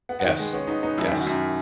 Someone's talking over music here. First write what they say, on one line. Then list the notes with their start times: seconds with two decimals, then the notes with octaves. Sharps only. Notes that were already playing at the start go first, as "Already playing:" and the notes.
Yes, yes.
0.09 B3 F#5
0.20 D#3 F#5
0.39 G#3
0.53 B3 C#4
0.67 B3 D#4
0.83 B3 D#4
0.98 F#2 E4
1.12 D#3
1.20 F#4
1.27 F#2